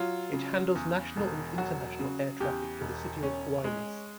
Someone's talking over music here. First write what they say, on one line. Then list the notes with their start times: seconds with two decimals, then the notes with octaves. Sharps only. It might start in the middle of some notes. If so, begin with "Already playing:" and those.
It handles national and international air traffic for the city of Guaymas.
Already playing: F#3 F4
0.33 C#3
0.75 E2
1.17 E1
1.58 F#3 F#4
1.99 C#3
2.40 E2 G4
2.81 E1
3.23 C#4
3.64 G#3